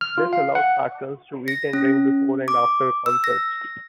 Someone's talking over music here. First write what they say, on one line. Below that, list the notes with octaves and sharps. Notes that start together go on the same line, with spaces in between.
This allowed patrons to eat and drink before and after concerts.
F6
F4
F5
F#5
A#6
C#4
D6
E6
A#6